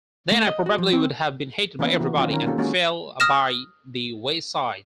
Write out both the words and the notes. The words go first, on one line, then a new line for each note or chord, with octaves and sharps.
Then I probably would have been hated by everybody and fell by the wayside.
A3
D#5
F#4
F3
C4
E3 A#3 B3 C#4 E4 F4
E3 F#4 A#4
D#3 F#3 C4 C#4 F4
D#3 C#4 A#4
A#3 C#4 D4 F4 G4 A4
G#3 A#3 C#4 F#4 G#4
D#6 F6 A#6 E7